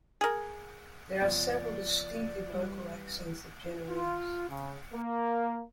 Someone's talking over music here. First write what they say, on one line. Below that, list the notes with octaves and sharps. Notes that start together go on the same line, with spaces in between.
There are several distinctive local accents of Genoese.
G#4 A#4
F#1 F3 B3 C#4 D5
E3 G3
F4
C#3
A#3